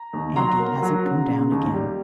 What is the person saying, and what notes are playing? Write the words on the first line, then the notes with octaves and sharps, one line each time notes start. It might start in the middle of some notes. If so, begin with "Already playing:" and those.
'And he hasn't come down again.
Already playing: A#5
D#2
F#3 A#5 C6
A#3
F#3
C#3
C#3
D#2
G3